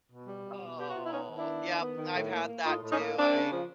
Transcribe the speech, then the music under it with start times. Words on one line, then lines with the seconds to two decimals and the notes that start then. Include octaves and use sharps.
Oh, yep, I've had that, too, I
0.10 B2
0.27 G3
0.44 B2
0.61 B2
0.78 B3 G4
0.88 F#4
0.95 B2 F4
1.04 E4
1.12 B3 C#4 D#4
1.29 D#3
1.37 D4 E4
1.46 B3
1.64 D#3
1.81 B3
1.98 D#3
2.15 A2
2.32 A#3
2.49 A#3
2.66 A2 D#4 F4
2.83 A2
2.91 C#4 D#4
3.00 A#3
3.17 A#3 C4 D4
3.34 C#3
3.51 F3